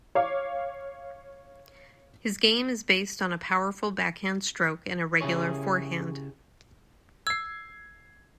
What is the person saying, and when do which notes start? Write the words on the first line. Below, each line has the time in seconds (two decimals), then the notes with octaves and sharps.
His game is based on a powerful backhand stroke and a regular forehand.
0.15 C#5 F5 D6
5.21 C#3 E4 G4 G#4 C#5
7.27 E6 G#6 C7